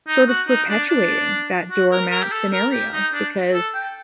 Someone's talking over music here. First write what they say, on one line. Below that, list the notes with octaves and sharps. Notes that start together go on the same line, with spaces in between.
sort of perpetuating that doormat scenario because,
D#4
F#4
D#4
D4
D4
F#4
A#4
A#4
G4
A4
A#4
G4
D#4
D4
A4
G5